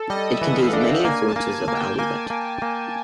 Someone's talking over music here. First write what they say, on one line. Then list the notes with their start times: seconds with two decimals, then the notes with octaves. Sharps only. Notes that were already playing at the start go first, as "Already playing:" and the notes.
It contains many influences of Aluette.
Already playing: A4
0.10 G3 D#5
0.34 E5
0.42 E3 F#5
0.57 F5
0.73 D4
0.80 G5
1.05 A#3 G#5
1.28 A5
1.36 A#3
1.51 G#5
1.65 A#3 G#5
1.75 G5
1.99 A#3 G#5
2.30 A#3
2.62 A#3